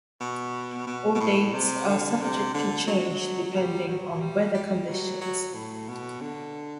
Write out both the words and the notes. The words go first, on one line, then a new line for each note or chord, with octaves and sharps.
All dates are subject to change depending on weather conditions.
B2
B2
B2
A2
C3
D3
C3
D3
F#3
G3
F#3
G3
G3
F#3
F#3
A2
B2
D3